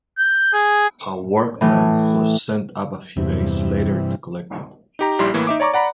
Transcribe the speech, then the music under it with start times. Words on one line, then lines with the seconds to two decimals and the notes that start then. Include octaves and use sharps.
A workman was sent up a few days later to collect it.
0.18 G6
0.53 G#4
1.61 A2 E3
3.17 E2 G2 C3 E3
4.99 D#4 G4 A#5
5.19 A#1 G3 E4 G4 C6
5.34 A2 E3 A#3
5.47 D#4 E5 D6
5.60 C#5 D5 A#5 C#6 D6
5.74 D5 F#5 A#5 B5